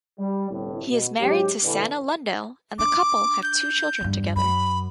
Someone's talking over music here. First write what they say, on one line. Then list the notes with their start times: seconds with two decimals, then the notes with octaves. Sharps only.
He is married to Sanna Lundell and the couple have two children together.
0.18 G3
0.50 G1 C2 A2
0.90 B2
1.20 G#2 F#3 G#3 C#4 G4
1.63 A#2 D3 E3
2.79 D4 D6
3.43 G6
4.01 E2 G2
4.36 F#2 B5